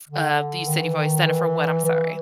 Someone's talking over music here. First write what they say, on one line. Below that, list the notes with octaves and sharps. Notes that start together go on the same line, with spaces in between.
Uh, do you said you've always done it for what? I'm sorry.
D3
D#3
E3
D#3
E3
E3